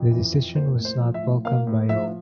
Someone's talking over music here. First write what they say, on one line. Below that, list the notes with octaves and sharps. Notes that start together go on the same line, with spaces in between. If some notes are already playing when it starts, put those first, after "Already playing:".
The decision was not welcomed by all.
Already playing: F2
E3
F2
A#3 C5
A2
C5
F3
E5
A2
A#3 F5
A2
F3 E5